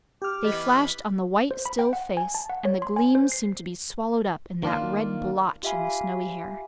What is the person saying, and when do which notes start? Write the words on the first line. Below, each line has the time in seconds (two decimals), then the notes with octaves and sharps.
They flashed on the white, still face, and the gleams seemed to be swallowed up in that red blotch in the snowy hair.
0.22 G4 D6 F6
0.44 E3 B3 D#5 B5
1.51 C5
1.66 B5
1.79 G5
1.93 F#5
2.17 G#5
2.35 A5
2.50 F#5
2.65 C#5
2.82 C6
2.96 G#5
3.15 C5
3.32 C7
4.63 D#3 A#3 D4 F4
5.63 F4 G4 E5 F5 G#5 B5